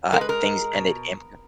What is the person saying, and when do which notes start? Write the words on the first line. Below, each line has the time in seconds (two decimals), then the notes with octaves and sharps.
uh, things ended in p
0.13 G#3 A#4
0.21 B4
0.29 A#4
0.43 G#3
0.73 B2